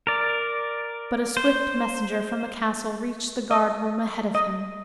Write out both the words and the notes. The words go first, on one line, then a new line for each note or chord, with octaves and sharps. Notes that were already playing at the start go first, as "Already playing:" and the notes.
But a swift messenger from the castle reached the guard-room ahead of him.
A#4 D5
C5
D#5
D#5